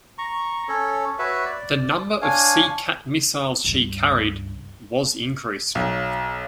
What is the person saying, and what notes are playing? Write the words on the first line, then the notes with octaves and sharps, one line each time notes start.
The number of SeaCat missiles she carried was increased.
A#5 C#6
C#4 A4 C#5
F#4 B4 C#5 E5
D5
D4 C#5 F5 G#5
C#2 G2
B1